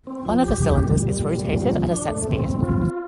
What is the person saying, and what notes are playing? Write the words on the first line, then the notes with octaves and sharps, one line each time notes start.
One of the cylinders is rotated at a set speed.
C4
F3
G4
G4
A#2
G3
A#2
G3
F3
F3
D4
A3
C4
C4
F4
F4